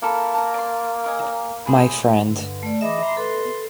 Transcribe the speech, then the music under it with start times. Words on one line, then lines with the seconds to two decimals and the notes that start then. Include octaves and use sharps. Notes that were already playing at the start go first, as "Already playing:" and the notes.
My friend.
0.02 A#3 E4 A4 A#4
0.35 A5 A#5
0.54 D5 C6
1.04 A#4 D#5 G#5
1.65 E4 G#4 C5
2.26 G2 D3
2.63 A3 D5
2.81 E3 G#4 D#5 E5 B5 D6
3.03 A#5 C6
3.17 A4 B4 C6